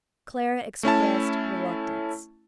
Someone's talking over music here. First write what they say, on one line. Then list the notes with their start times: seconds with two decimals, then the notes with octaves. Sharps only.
Clara expressed reluctance.
0.83 A3 C#4 E4 A5